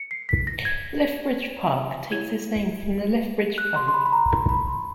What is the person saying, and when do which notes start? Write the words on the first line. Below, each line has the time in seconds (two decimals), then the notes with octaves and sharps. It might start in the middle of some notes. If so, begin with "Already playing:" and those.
Lethbridge Park takes its name from the Lethbridge family.
Already playing: C#7
0.11 C7
0.29 B6
0.47 A#6
0.65 G#6
2.12 E4 G#4 C#5 G#6
3.58 F#6
3.76 C6
3.88 C6
3.94 B5
4.06 B5
4.12 A#5
4.31 B5
4.49 B5
4.67 C6